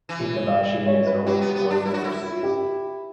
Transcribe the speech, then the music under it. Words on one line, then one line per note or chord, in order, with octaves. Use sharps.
Itabashi is home to four universities.
E3
C#5
B4
F#3 G4
B3
B3
D4
E4
F#4
E4
G4